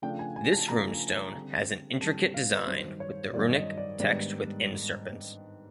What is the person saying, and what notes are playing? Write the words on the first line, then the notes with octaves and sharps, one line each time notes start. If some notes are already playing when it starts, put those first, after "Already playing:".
This runestone has an intricate design with the runic text within serpents.
C#3 F3 A3 D4 G5
G#5
G#5
A5
C#3 F3 A3 D4 A#5
D3 G3 C4
D3 G3 C4 A5
F5
B4
G2 D#3 F#3 C5
C#5
G2 D#3 F#3 D5
D#5
D5
G#2 D#3 G3 B3 D4 D5